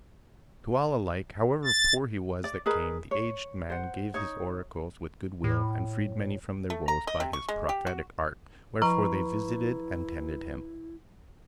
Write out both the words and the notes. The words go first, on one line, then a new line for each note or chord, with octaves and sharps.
To all alike, however poor he was that came, the aged man gave his oracles with good will, and freed many from their woes by his prophetic art; wherefore they visited and tended him.
A6
D5
G#4 A#4 B4 D#5
C#5
C5 F#5
D#4 C#5
A2
A3
A#5
D#5
C3
C#6
G#3
G4
F#4
F3 E4 B4 A#5 B5 C#6